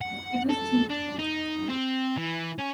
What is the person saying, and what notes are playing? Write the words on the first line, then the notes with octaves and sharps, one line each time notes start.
It was cheap.
F#5
A4
D4
D#4
C4
E3
C#4